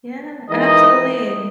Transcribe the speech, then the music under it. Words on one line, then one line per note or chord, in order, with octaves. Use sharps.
Yeah. Absolutely.
E3 G#3 D#4 A#4 D#5